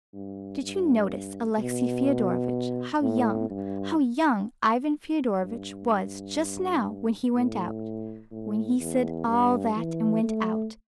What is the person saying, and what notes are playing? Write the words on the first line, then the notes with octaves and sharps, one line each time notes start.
Did you notice, Alexey Fyodorovitch, how young, how young Ivan Fyodorovitch was just now when he went out, when he said all that and went out?
G2
G2
B2
A2
G2
G2
A2
A2
E2
G2
E3
A3